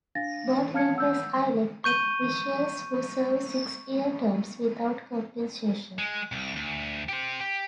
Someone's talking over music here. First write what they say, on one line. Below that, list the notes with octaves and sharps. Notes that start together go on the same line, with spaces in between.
Board members are elected officials who serve six-year terms without compensation.
D4 F5 A6 A#6
C#5 F5 A5 F6 G#6 C#7
F#5 E6 G6
C#6 G6 D#7 G7
G#3
C2
D2
G4 C5
G4